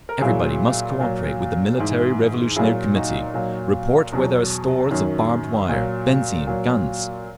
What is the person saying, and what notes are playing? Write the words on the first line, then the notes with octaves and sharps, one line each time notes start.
Everybody must cooperate with the Military Revolutionary Committee, report where there are stores of barbed wire, benzine, guns....
A#4
A#2 F#3 E4 G#4
A#2 F#3
G#2 E3
A#2 F#3 E4 G#4
D#4 F#4
A#2 F#3
E2 B2 F#3
F#2 D#3 F#3
A#2 F#3
A#2 F#3